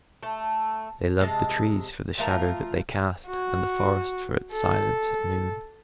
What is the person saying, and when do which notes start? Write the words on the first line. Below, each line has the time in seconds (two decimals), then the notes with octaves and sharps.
They loved the trees for the shadow that they cast, and the forest for its silence at noon.
0.23 A3
1.20 C3 G#3 D#5 A5
2.18 F3 A3 F4 A#4
3.28 F#4
4.52 A4